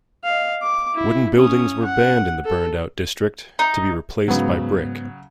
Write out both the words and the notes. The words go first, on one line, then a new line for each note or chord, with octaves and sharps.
Wooden buildings were banned in the burned out district, to be replaced by brick.
D#5 F5
D6
E4
C#4 D#6
F#5
A4
D#4
G#2 C#3 F#3 B3